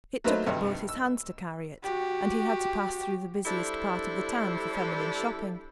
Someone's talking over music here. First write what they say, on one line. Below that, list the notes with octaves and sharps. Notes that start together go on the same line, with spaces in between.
It took up both his hands to carry it; and he had to pass through the busiest part of the town for feminine shopping.
F#3 A3 A#3 D#4 B4 C5
G#1 G2 C3
E6
F#4 G4
G3 D4 E4 A4 C5